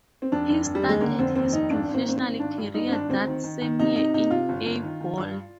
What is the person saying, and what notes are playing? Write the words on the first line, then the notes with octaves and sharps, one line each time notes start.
He started his professional career that same year in A-ball.
C4
F1 D4
F1
F1
G3
D#2
G#3
D3 A#3
F1 C4
D#2 C4
F1 D#4
G#1 D4
G#1
C4
A#3
G#1 C4
C4
G#1
G#1 D4
G2
G2 D#4
C4
G#1 D4
D2 C4
D#3
D#3
D#3
C3 D#4
C3 D#4
C3 D#4
C3 F4
G1
G1
D#3
D#3
G2